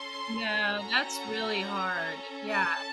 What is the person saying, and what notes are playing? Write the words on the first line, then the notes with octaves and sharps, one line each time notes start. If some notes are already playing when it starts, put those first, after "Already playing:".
No, that's really hard, yeah.
Already playing: C#4 A4 C6
C#4 F#4 A4 A#5
C#4 A4
A5